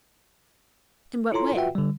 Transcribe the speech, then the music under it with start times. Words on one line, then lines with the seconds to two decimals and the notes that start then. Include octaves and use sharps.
"In what way?"
1.32 E4 F4 A4 C#5 A#5 C6
1.56 F4 F#4 B4 E5 F#5 G5
1.75 D3 G3